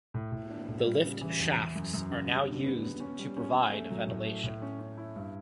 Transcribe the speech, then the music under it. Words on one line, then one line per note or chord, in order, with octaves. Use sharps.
The lift shafts are now used to provide ventilation.
A2
A2
D4
A2
G3
C#3
E3
E2
E3
F#2
F#2
C#3
G3
D3
B3
B3
C#4
G3
C#4
C#4
A3
F#3
A2
A3
A2
C#4
C#4
E4
G2